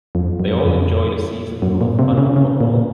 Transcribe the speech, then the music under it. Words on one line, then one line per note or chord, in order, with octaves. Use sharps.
They all enjoyed a season full of fun and football.
F2
F#2
F2
F#2
A#2
C3
C#3
C#3
A#2